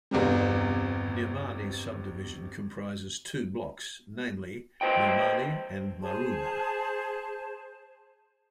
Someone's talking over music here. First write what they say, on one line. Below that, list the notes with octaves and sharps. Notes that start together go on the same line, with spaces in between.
Nirmali sub-division comprises two blocks, namely, Nirmali and Maruna.
G1 E2 C3 G3
B4 C5 D#5 G5
G#4 C5 A5